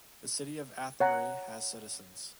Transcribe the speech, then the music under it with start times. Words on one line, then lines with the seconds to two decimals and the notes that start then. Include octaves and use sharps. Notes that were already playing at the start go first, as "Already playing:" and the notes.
The city of Athenry has citizens.
1.00 C#5 F#5 A#5